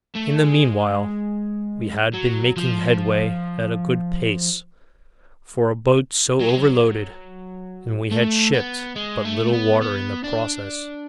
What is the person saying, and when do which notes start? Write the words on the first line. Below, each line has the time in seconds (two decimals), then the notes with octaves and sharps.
In the meanwhile we had been making headway at a good pace for a boat so overloaded, and we had shipped but little water in the process.
0.15 A3
0.43 G#3
2.14 F#3
2.57 F3
6.41 F#3
6.49 G#3
6.57 F#3
8.11 A3
8.54 B3
8.96 G#3
9.25 A3
9.53 B3
9.81 B3
10.24 D4